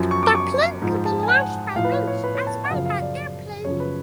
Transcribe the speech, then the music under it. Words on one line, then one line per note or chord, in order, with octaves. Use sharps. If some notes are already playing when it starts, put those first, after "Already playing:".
The plane could be launched by winch as well by airplane.
Already playing: F#2 F3
C#6
D6
C#6
G#2 F3
A5
G#5
F#5
A2 F3 F5
B4
C#5
C#5
B4
C#5
A5
F#5
F#2 C#3 F3 F5
F5
D5
F#2 C#3 F3 C#5
B4